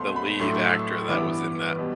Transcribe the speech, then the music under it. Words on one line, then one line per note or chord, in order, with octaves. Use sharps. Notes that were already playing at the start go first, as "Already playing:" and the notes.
The lead actor that was in that,
Already playing: C2 B2 A3 C4 C6
B5
A2 F#3 A3 D4 C6
E6
G2 E3 B3 E4 D6
B2 G3